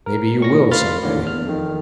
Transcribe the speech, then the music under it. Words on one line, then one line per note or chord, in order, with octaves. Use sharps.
"Maybe you will some day."
A#4
A2 C#6 A#6
F5 B5 C6 F6 A6
D#2 A2 D3 A#3
E2 F6
F2 D#3